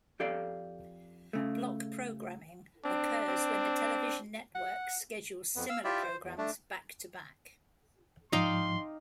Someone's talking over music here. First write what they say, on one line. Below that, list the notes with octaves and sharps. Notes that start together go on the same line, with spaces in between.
Block programming occurs when the television network schedules similar programs back-to-back.
F2 G4 A4 D5 F5
C#3 A3
C4 D4
C4
F#5
F2 B3
F5 E6
E4 F4 G4 D5 E5
C5
E2
A3 D4
G#2 F3 D#4 D5 F5 G5 C6